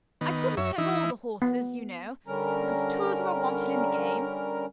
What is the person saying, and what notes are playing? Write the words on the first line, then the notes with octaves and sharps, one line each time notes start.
'I couldn't send all the horses, you know, because two of them are wanted in the game.
D#3 B3
F#2 C#5 E5
E3 D#4 E4
B3
D3 G3 C#4 A#4 A#5